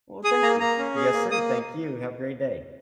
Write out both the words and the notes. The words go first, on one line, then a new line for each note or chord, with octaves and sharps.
Well, thank you. Yes, sir. Thank you. Have a great day.
G#4 D#6
A#3 A#5
A#3 A#5
C#4
G#4
A#3
A#3 D#6